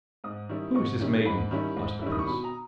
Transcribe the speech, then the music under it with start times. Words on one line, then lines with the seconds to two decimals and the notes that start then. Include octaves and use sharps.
"Who is this maiden?" asked the prince.
0.24 G#2 D#6
0.49 D#3 G3 C#4 E4
0.74 G#2 C#6
1.00 D#3 G3 C#4 E4
1.26 G#2 B5
1.51 D#3 G3 C#4 E4
1.76 G#2
2.01 D#3 G3 C#4 E4
2.12 D#6
2.19 C#6
2.27 B2 B5
2.44 A#5